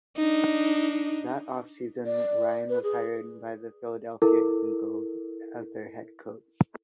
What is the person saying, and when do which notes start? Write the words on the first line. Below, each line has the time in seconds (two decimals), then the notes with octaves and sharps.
That offseason, Ryan was hired by the Philadelphia Eagles as their head coach.
0.17 D4 D#4
2.06 D5
2.70 B4
2.83 G#4
4.22 E4 A4 A#4